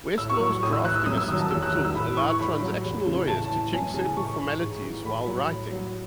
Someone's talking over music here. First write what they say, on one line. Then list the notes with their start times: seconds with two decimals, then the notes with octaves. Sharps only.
Westlaw's drafting assistant tool allows transactional lawyers to check certain formalities while writing.
0.18 A2 E6
0.30 C#6
0.39 F#3
0.51 C#6
0.63 A2 D#6
0.73 E6
0.84 E3 F#6
0.95 E6
1.06 F#2 D#6
1.17 E6
1.29 D#3 F#3 D#6
1.40 A5
1.51 E2 E6
1.63 F#6
1.72 D#3 E6
1.76 F#3
1.85 E6
1.95 A2 B5
2.17 E3 C#6
2.40 A2 B5
2.62 F#3
2.84 E2
3.06 C#3 E3
3.28 A2 A5
3.51 E3
3.72 F#2 G#5
3.94 C#3 E3 A5
4.17 A2 C#6
4.39 E3
4.61 G#2
4.84 E3
5.05 A2 B5
5.27 F#3
5.50 A2
5.71 F#3